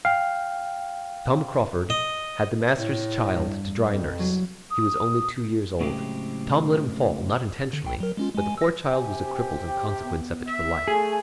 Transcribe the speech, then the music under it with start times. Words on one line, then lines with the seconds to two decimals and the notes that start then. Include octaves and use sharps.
Tom Crauford had the master's child to dry nurse: he was only two years old: Tom let him fall, not intentionally, but the poor child was a cripple in consequence of it for life.
0.05 F5 G5
1.90 D#5
2.76 A2
3.36 G2
3.92 F2
4.19 C2 F#3
4.71 D#6
5.81 A2 C#3 F#3 G#3 C4 G4
7.73 D3
7.85 C2 G5
8.00 F#3 A#4
8.17 G#3 C#4 F4
8.34 G#3 G#5
8.58 E6 A#6
8.91 C3 G4 G#5
9.67 G5
10.02 B3
10.48 E5
10.88 A3 G#4 G#5